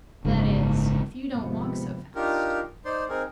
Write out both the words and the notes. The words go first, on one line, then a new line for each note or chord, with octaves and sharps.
That is, if you don't walk so fast.
F#1 G#2
D#2 G#2 C3 F3 G3 B3
D4 D#4 F4 G4 A#4
D#4 C5 D5 C6
C4 D#4 G#4 A#4